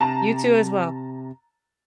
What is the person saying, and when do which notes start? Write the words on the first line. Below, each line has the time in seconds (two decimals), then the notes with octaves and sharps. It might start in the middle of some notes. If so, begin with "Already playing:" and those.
You too as well.
0.01 C3 A5 A#5